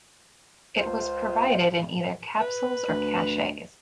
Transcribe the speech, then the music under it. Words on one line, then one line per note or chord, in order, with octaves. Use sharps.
It was provided in either capsules or cachets.
C#2 F4 C5
B4
D2